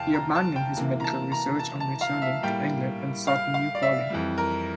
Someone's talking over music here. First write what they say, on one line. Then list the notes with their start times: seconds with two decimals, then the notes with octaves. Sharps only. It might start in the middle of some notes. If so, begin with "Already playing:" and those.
He abandoned his medical research on returning to England, and sought a new calling.
Already playing: E2 C3 F5 G5 A5
0.14 A#5
0.35 A5
0.56 G5
0.77 C3 E3 A#3
1.00 A#5
1.04 A5
1.32 A#5
1.59 A5
1.80 A5
2.01 F5
2.22 E5
2.43 A2 G3 A#3 G5
3.27 F5
3.54 F5
3.75 D5
3.82 E5
4.10 F2 E3 G3
4.38 A#4